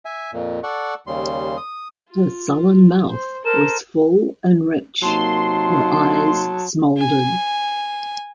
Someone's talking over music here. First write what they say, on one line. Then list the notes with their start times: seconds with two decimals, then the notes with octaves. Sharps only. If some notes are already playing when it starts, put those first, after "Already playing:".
Her sullen mouth was full and rich -- her eyes smoldered.
0.05 E5 G#5
0.33 F2 A#2
0.63 A4 D5 F#5 C#6
1.07 D#2 C#3 G3 C6
1.57 D#6
2.10 F4
3.11 C5
3.45 A4 A#4 C5 E7
5.02 C3 F#3 A#3 D#4 A5 C6
6.97 G#5